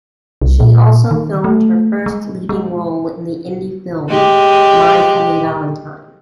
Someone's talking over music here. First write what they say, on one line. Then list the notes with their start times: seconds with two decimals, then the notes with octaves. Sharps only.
She also filmed her first leading role in the indie film "My Funny Valentine".
0.42 C2
0.60 A#2
1.11 D#3
1.44 A3
2.06 G#3
2.49 G#3
4.09 G#3 G4